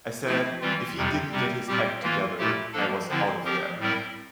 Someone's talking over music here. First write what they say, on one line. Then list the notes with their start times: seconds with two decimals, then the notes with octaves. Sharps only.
I said if he didn't get his act together, I was out of there.
0.25 F3 A3 C4 E4
0.61 E3 G3 C4 F4
0.96 F2 C3 G3 C4
1.31 C3 G3 C4
1.67 A#2 G3 C4 G4
2.02 E3 A#3 F4
2.38 A#2 A3 E4 G4
2.73 F3 A#3 D4 A4
3.09 D3 F3 C4 E4
3.44 F3 C4 G4 A#4
3.80 A2 G3 C4 E4 A#4